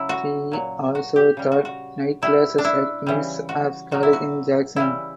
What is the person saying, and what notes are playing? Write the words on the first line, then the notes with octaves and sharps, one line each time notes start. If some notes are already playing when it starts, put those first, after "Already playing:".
He also taught night classes at Millsaps College in Jackson.
Already playing: C#3 F#3 E4
F#4
A#2 F#3
F#4
G4
C#3 G3
F#4
F#4
B2 G3 E4
D4
E4
C#3 E3 G3
F#4
A#2 F#3 F#4
E4
F#4
C#3 E3 G3 E4